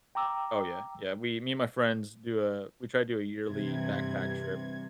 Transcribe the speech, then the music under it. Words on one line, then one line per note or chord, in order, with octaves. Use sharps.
Oh, yeah. Yeah, we me and my friends do a we try to do a yearly backpack trip,
G5 A#5 D6 E6
G2 C3 E3 G#6